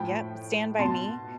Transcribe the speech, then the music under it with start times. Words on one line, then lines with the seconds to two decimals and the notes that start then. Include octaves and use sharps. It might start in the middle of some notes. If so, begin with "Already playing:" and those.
Yep, Stand By Me,
Already playing: A2 F3 G5 B5
0.79 B2 A5 C6